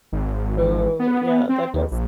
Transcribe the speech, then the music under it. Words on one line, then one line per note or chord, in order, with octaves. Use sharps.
Ooh, yeah, that does
G#1
B3
C4
D#2
A#1